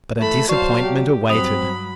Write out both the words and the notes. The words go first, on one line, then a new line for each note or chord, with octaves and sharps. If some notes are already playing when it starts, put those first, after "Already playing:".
But a disappointment awaited.
E3 A3 A5 B5
F#3 F#4 C5 D5 F5 A5 C#6
G4
G2 F#3 C4 B5 D#6 F7